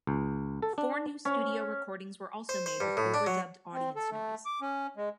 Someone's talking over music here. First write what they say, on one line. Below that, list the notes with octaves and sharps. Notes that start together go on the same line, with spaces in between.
Four new studio recordings were also made with overdubbed audience noise.
C#2
A4
D4
C#4
C5
C5
G2
A2
D4
F#3
C4
A4
A3
D6
C#4
G#3